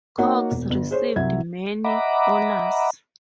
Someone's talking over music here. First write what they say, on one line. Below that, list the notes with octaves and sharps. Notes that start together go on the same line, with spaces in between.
Cox received many honours.
A#3 D#4 F#4 C#5 F#5
E1
G1
G#4 C5 C#5
C2 F#3 E5 G#6
D#5 E5 F#5 A#5 B5 D6